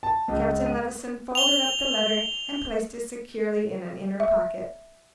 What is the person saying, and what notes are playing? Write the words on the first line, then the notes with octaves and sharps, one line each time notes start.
Captain Levison folded up the letter, and placed it securely in an inner pocket.
A5
C#2
D#7
F7 G7
E5